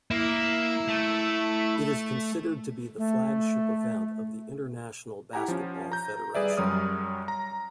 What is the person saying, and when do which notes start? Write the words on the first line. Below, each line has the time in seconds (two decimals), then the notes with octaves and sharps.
It is considered to be the flagship event of the International Basketball Federation.
0.11 A#3 E4
0.89 A3
2.98 A3
5.33 E4 G4 F#5 G#5 A#5
5.48 F3 C#4
5.92 A#5 G6
6.35 G3 G#4 B4 D5 E5
6.57 F#2 F#3 G3 C#5 D#6 F6
7.28 A#5